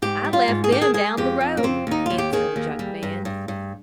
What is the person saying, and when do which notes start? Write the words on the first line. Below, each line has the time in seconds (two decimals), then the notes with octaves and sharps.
"I left them down the road," answered the junk man.
0.02 G#2 G4
0.24 G3
0.33 F4
0.48 G#2
0.64 G#4
0.71 D#3 G4
0.81 G#4
0.94 G#3 G#4
1.17 F2 G4
1.41 F2
1.57 A#3
1.63 F2 C4
1.87 D#2 D#4
2.06 D#2 F4
2.18 G4
2.33 D#3 G#4
2.56 D#2
2.79 G3
3.03 G2
3.25 G2
3.48 G2